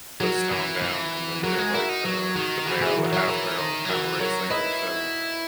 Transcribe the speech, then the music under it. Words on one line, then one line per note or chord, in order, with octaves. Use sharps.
put stone down, and then did, like, the the barrel the half barrel kinda raised things like you said, and
F#3 F#4 A#4
E3
E3
F#3 F#4 A#4
G#3
E4 F#4 A#4
D#4
F#3 F#4
D#3 F#4
E3 F#4
E3 E4 G#4
F#4 A#4
F#3 A#4 C#5
E3 A#4 C#5
D#3
F#3
E3 F#4 A#4
F#3 A#4 C#5
E4 B4 D#5